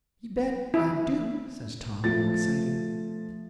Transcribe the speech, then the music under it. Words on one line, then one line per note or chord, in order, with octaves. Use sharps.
"You bet I do," says Tom, all excited.
E4
F3 A3 A6